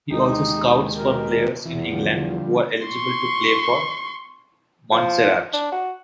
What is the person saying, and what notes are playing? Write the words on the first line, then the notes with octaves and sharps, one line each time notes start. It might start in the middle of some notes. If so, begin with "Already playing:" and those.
He also scouts for players in England who are eligible to play for Montserrat.
D#2 G#3 D#4 G4
B2 A#4
E2 E3
D3 F3 G3
C6 C#6
F3
D4
F#4